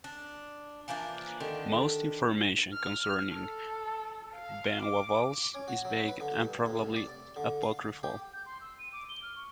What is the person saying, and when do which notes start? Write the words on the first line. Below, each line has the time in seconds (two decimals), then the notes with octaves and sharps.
Most information concerning Ben Wa balls is vague and probably apocryphal.
0.04 D4
0.88 E3 F3 A#3 D4
1.40 D3 D#3 D4 G4
2.73 F6
3.33 A4
4.34 F5
4.81 D6
5.55 C#4
5.68 F#4
5.85 F#3
6.08 B4
6.20 D3
6.40 G2
6.66 A2
6.79 C2
6.96 D5
7.36 D3
7.63 F5
8.03 G4
8.33 G6
8.46 C6
8.61 E6
8.79 D#7
8.93 D6
9.09 G7
9.22 F6
9.36 C#6